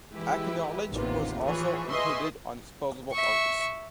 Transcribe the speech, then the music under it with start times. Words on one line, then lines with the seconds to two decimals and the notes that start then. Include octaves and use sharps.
"Acknowledge" was also included on "Disposable Arts".
0.12 E3 G#3 E4 G4 B4
0.91 A1 D#2 C3 A#3 B3 F4
1.42 E3 F3 G#4 C#5
1.89 G#4 B4 D#5 E5 C6 C#6
3.12 E5 C#6